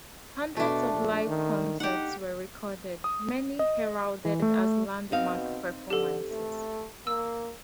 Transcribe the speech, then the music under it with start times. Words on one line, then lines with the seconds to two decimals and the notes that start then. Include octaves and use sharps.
Hundreds of live concerts were recorded, many heralded as landmark performances.
0.57 B2 A3 D4
0.93 A#1
1.27 D#3
1.80 D#4 G4 F#5
3.04 D#6
3.59 D#5
4.25 E3
4.42 A3
5.11 B2 C4 D#4 F5
5.90 D3 G4 A4
6.31 A3
7.07 A#3 E6